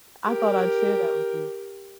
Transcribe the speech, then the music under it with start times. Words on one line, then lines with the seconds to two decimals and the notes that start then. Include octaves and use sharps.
I thought I'd share that with you
0.25 G4 A#4